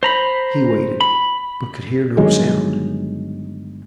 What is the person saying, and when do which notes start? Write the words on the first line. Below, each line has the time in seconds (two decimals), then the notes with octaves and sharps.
He waited, but could hear no sound.
0.03 C5 A#5 B5
1.01 B5
2.17 G1 D#3 F#3 G#3